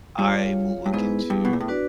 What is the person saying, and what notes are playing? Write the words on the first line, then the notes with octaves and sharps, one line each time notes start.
I will look into
G2 F4 G#4 C#5 F5
G2
G#2 B3 E4 G#4 B4
G2
B2
A#2
A2
D4 F#4 B4 D5